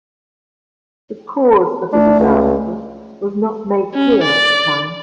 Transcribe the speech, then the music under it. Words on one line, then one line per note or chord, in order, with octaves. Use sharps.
The cause of the disaster was not made clear at the time.
A3 D4
C#2
C#4
D5